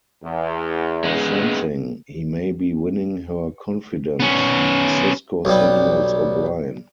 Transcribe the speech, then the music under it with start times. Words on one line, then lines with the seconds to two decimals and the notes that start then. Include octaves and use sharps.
Sensing he may be winning her confidence, Sisko signals O'Brien.
0.23 E2
1.04 G#3 B3
4.20 B3 C#4
5.45 B1 G3